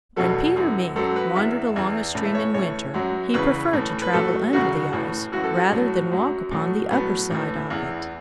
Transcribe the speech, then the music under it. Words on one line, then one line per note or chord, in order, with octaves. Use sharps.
When Peter Mink wandered along a stream in winter he preferred to travel under the ice, rather than walk upon the upper side of it.
E2 B2 F#3 A4
F#2 E3
F#2 F#3 A4
B4
E2 E3 E5
E2 E3
A2 E3
E5
C#5
A2 E3 C#5
F#2 F#3
E2 C#3 E3 B4
A2 E3
B4
A2 F#3 A4
E2 C#3 F#3 F#4
A2 E3
F#2 E3 F#4
A4
F#4
A2 F#3
F#2 F#3
A2 F#3
A2 F#3 B3
A2 E3
E2 E3